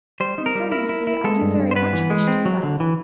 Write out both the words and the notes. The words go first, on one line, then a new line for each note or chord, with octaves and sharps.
"And so you see, I do very much wish to sell."
G3 C5
D#4
A#4
G3
E4 A#4
E4
E4
G#3 A4
G2
G2
C5
B3 B4
E3
G#3
C4
F#3
D3
E3